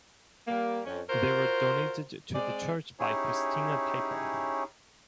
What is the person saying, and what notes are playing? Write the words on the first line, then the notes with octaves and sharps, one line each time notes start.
They were donated to the church by Christina Piper.
G3 A#3
F2 C#4
F4 F#4 A#4 C5
G#3 C4 D5
C#4 D#4 E4 G4 G#4 C#5